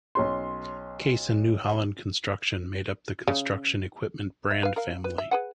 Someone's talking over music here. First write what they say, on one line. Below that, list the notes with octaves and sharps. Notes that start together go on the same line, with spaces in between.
Case and New Holland Construction made up the construction equipment brand family.
B1 C#4 C6
C#3
E5
B4 F5
A#4 F5
B4
E5
G#4 B4 F#5